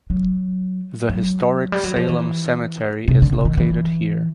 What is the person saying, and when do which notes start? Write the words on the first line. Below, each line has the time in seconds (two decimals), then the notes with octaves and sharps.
The historic Salem cemetery is located here.
0.10 F#3
1.09 F#3
1.72 G3
1.84 F#3
1.96 F3
2.08 E3
3.08 C3
3.22 D3
3.32 C#3
3.45 D#3
3.57 E3